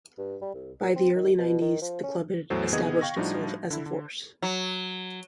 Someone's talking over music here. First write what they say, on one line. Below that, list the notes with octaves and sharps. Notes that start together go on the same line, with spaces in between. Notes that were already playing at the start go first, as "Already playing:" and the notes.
By the early nineties the club had established itself as a force.
G2
G3
C2
A#2
C4
D#3
B2
D#3
F3
C#4
E2 A2 F#3 A4 C5
C3 D#3 B3 G#4 D#5 G#6
F5 G5 C#6 A#6
A2 F3 G3 D4 D#4 F#4
D3 E4
D3
F#3